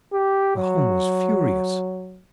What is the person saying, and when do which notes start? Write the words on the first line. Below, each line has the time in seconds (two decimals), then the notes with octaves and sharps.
Pahom was furious.
0.13 G4
0.57 F#3